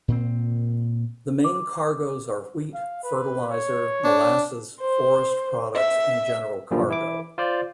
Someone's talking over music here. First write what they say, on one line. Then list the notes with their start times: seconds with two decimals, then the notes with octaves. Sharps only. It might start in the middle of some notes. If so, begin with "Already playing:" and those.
The main cargoes are wheat, fertiliser, molasses, forest products and general cargo.
0.08 A#2 C4
1.44 D6
2.74 F5
3.04 B4
3.49 C#5
4.04 D4
4.80 C5
5.74 E5
6.71 F#2 A#2 D3 F3 G3
6.88 E3 E4 D6
7.38 F4 C5 D5